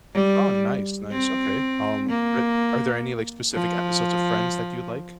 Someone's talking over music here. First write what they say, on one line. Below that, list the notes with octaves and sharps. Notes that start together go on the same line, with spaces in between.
Oh, nice, nice, okay, um, are are there any like specific episodes of Friends that you like
G3
C4
A#3
F3